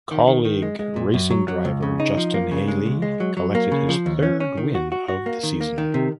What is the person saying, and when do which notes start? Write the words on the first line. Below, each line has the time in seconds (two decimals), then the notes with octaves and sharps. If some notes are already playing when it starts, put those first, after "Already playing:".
Kaulig Racing driver Justin Haley collected his third win of the season.
0.11 D#3
0.27 D#3
0.45 D#3
0.62 G#3
0.79 G#3
0.96 A#2
1.14 F#2
1.30 F#3
1.48 F#3
1.65 C#2
1.83 C#3
2.00 D#4
2.17 F3
2.34 A#3
2.51 C#3
2.68 G#3
2.86 C#2
3.02 G#3
3.20 F#3
3.37 F#3
3.55 A#3
3.72 C#3
3.89 F3
4.06 D#2
4.23 C#4
4.40 C#4
4.57 D#3
4.75 F#4
4.92 F#4
5.08 F#4
5.26 A#3
5.43 D#3
5.61 A#3
5.78 D#3
5.94 C3